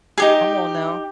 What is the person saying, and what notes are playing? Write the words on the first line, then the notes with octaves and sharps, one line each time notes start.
Come on, now.
D#4 G4 G#4